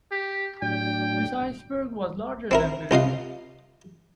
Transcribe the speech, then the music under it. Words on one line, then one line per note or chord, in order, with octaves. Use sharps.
This iceberg was larger than Belgium.
G4
A2 F#3 D4 G5
C4 E4 A#4
C2 F4 D#5 F5